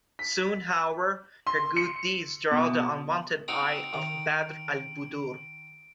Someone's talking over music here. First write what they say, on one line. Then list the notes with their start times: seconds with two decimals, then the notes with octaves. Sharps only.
Soon, however, her good deeds draw the unwanted eye of Badr Al-Budur.
0.19 B6
1.47 C6
1.77 C#7
2.51 B2
3.48 C4 D#4 F#4 D7
3.94 D#3